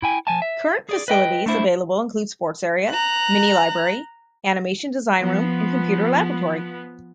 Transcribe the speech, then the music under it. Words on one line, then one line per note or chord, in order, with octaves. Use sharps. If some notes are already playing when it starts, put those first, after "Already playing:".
Current facilities available include sports area, mini-library, animation design room and computer laboratory.
E4 G5 G#5
F3 G#5 A5
E5
G#4 D5
B4 D#5 G5
A3 D4 E4 C5
A#5 F#6
F3 B3